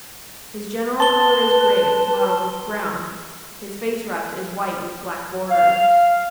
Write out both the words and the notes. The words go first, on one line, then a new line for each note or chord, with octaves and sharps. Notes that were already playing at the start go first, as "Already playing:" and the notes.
His general color is gray, mottled with brown. His face ruff is white with black border.
B4 A5 C6 G7
F5